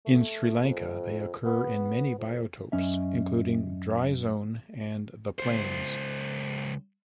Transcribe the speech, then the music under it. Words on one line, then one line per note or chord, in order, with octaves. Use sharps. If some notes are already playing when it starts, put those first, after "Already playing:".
In Sri Lanka, they occur in many biotopes including dry zone and the plains.
A3
F2
B3
F2
F#2 C#4 D#5 E5
C#2 C5